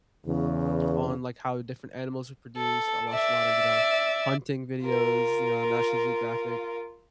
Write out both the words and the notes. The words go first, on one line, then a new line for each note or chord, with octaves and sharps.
on, like, how different animals were produced, I watched a lotta, you know, hunting videos, you know, National Geographic,
E2 C#3
A4
D5 E5
F4 A#4